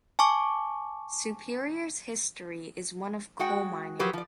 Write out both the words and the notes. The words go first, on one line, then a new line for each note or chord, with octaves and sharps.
Superior's history is one of coal mining.
G#5 A5 C#6 D6
G#3 F#4 F#5 G5
F3 F#3 G4 A#4 B4
F3 D5